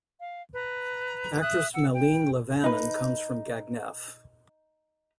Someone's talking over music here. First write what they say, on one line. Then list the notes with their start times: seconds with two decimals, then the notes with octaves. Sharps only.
Actress Malin Levanon comes from Gagnef.
0.21 F5
0.54 B4 A#5
1.41 E5 D#6 F#6
1.74 F#5 E6
1.93 G5
2.64 D#4 B4